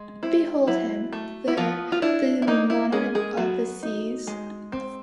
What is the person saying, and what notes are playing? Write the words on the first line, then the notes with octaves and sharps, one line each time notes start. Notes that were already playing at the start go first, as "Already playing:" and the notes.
Behold him there, the monarch of the seas!
Already playing: G#3
C4 E4
F#3 E4
A3
E4
F3 B3 F4
F4
D4 E4
E4
A#3 D#4
E4
G#3 C#4 G#4
G#3 G#4
F#3 B3 F#4
D#4
G#3
C4